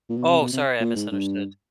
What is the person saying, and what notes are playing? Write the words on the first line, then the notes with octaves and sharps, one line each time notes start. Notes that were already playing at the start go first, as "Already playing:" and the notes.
Oh, sorry, I misunderstood,
A#2
B2
C3
B2
C3
A#2
G#2
G2